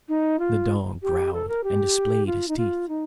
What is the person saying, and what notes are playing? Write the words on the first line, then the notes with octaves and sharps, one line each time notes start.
The dog growled, and displayed his teeth.
D#4
F4
G4
A4
A#4
G4
F4
D#4
F4
D#4